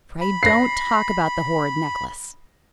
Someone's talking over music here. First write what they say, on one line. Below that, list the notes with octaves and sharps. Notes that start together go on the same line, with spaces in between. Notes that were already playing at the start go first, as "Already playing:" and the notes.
"Pray don't talk about the horrid necklace."
B5
A#6 C7